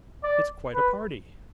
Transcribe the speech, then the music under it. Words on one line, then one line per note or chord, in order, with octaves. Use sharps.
'It's quite a party!'
D5
B4